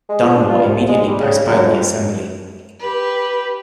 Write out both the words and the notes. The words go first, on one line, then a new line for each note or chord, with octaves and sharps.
Dunmore immediately postponed the Assembly.
G#3
F3
D4
F4
C2
G#3
G3
C#3
C#3
F#2
F2
G4 B4